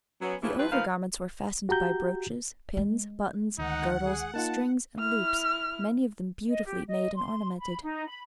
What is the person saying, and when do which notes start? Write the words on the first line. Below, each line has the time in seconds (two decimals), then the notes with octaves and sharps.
The over-garments were fastened by brooches, pins, buttons, girdles, strings, and loops, many of them beautifully made and ornamented.
0.22 F#3 B3 C#4
0.42 G2 E3 F3
0.58 G2 F3 C4 G4 B4
0.71 A#2 D#3 F3 B4 C5 F5
1.69 F#4 G4 A#5 G6
2.77 G#3
3.58 D2 D#3 D#4 F#5
4.05 G#4
4.34 A#3 D#4 F4 A5
4.98 E4 F6
6.48 D#5
6.65 G4
6.88 D#5
7.15 C6
7.60 B5
7.82 D#4
8.08 B5